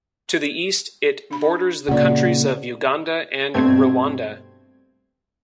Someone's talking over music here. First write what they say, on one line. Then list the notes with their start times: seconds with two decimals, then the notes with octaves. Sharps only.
To the east it borders the countries of Uganda and Rwanda.
1.31 D4 B5
1.89 A#2 C#3 D5 F#5
3.54 G2 B2 A3 C4 G#6